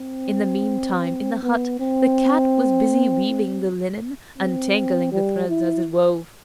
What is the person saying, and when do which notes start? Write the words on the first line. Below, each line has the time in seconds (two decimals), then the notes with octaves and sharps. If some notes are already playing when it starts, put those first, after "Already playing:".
In the meantime in the hut the cat was busy weaving the linen and tangling the threads as it wove.
Already playing: C4
1.43 B3
1.79 C4
4.38 C4
5.12 G3
5.48 E4